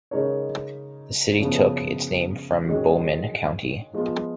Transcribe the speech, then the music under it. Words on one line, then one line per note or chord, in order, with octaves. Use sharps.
The city took its name from Bowman County.
C#3 G#3 D#4 A#4 C#5
F#2 C#3 F3 B3
D#3 G#3 C#4 F#4
F3 G#3 B3 F4